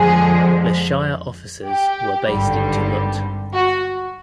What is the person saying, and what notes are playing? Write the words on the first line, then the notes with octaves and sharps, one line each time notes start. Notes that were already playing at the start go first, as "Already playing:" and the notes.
The shire offices were based in Tumut.
Already playing: F2 D3 F3 G#3 G#4
G4
G#1 G2 D3 G3
F#4